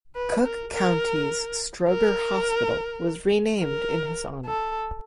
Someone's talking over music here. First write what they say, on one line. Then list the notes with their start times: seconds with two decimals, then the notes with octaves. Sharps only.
Cook County's Stroger Hospital was renamed in his honor.
0.15 B4
0.45 A#4
0.73 A#4
1.88 A#4
3.60 A#4
4.46 A4